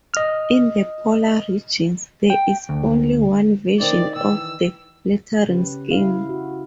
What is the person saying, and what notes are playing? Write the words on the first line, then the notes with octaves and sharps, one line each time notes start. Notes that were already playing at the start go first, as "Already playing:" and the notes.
In the polar regions, there is only one version of the lettering scheme.
D#5 F6
G5
D2
D#3 C4 D#4 D5
D#3 E3 E6
C#3 C#4 G4 B4
E4 F5
F#4